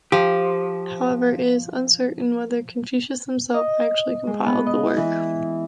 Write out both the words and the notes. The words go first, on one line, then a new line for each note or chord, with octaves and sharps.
However, it is uncertain whether Confucius himself actually compiled the work.
F3 G4
D#5
G#3
B3
D#5
E3